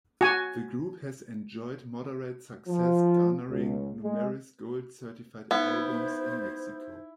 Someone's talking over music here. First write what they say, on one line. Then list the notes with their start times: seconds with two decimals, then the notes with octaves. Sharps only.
The group has enjoyed moderate success garnering numerous gold-certified albums in Mexico.
0.21 F#4 G#5
2.68 F3
3.50 C#2
4.03 G#3
5.51 B3 D#4 E4 C5